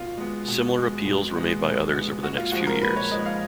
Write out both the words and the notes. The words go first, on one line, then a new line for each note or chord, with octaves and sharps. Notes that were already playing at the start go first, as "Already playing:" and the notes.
Similar appeals were made by others over the next few years.
Already playing: B2 F4
G#3 B3
B2
G#3 B3
B2
G#3 B3
B2
G#3 B3
A#2 F#4
F4
F3 G#3 F#4
A#4
A#2 B4
C#5
F3 G#3 D#5
F5